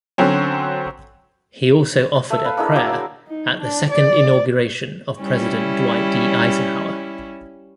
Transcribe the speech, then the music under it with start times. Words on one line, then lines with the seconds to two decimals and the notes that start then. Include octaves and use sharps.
He also offered a prayer at the second inauguration of President Dwight D. Eisenhower.
0.18 D3 F#3 C4 C#4
2.30 A3 E5 E6
2.44 B4 F5 A5 B5
2.57 A#3 D4 E4 G#4
2.75 F#3 A#3 D6 E6
2.92 E6
3.28 D#4
3.62 D4
3.91 D5
5.20 G3 C#4 E4